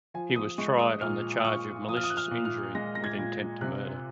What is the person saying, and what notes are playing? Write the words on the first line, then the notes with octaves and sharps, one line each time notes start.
He was tried on the charge of malicious injury with intent to murder.
F3 G#5
D#6
G#3 C#6
D#6
A#2 F6
D#6
A#2 C#6
F3 D#6
F6
D#6
F#6
F6
A#2
F6
G#3 A#6
A#6
G#6
A#2
C3 F#6